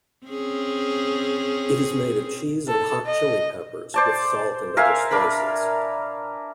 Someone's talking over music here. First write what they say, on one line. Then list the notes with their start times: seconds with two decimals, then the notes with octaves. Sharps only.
It is made of cheese and hot chili peppers, with salt and other spices.
0.27 C4 C#4 G#4
2.68 A4
3.06 D#5
3.94 C5 D5 A5
4.77 A#4 E5 F5 G#5
5.11 D4 A#4 B5